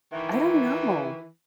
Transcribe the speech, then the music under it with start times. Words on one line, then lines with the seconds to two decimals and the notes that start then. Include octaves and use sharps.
I don't know.
0.13 D#3 E3